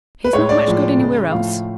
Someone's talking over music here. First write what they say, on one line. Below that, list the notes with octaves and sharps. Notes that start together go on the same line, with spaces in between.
He's not much good anywhere else.
B4
A2 G#3 C#5
D5
A2 F3 G#3
C#3 G#3
A2 F3 A3 F5